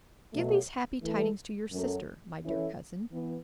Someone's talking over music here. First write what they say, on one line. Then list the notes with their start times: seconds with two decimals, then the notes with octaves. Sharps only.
Give these happy tidings to your sister, my dear cousin.
0.32 B2 F#3 A3
1.02 E3 A3 E4 A4
1.72 F#2 F#3 A3
2.42 E3 C#4 E4 A4 C#5
3.12 E3 B3